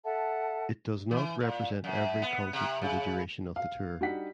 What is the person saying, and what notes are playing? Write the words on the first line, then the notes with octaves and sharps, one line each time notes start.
It does not represent every concert for the duration of the tour.
A4 E5 F#5 A5
E3
A#2
F#2
B3
C3
C#3
F5
G3 D4 D#4 F#4 F#5 B6